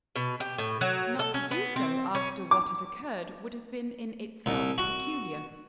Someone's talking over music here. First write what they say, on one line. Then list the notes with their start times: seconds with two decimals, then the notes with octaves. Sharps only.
Not to do so after what had occurred would have been in itself peculiar.
0.16 B2
0.40 G4
0.58 A2
0.81 F#3
1.19 A4
1.34 C#4
1.51 B3
1.76 C4
2.15 C#4
2.51 D6
4.46 C2
4.78 F#4